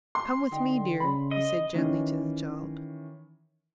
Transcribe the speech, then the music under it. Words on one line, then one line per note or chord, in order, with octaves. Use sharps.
"Come with me, dear," he said gently to the child.
C6
D3 D#4 G5
C#3 D5 B5
D#5
D#3 E3 C#4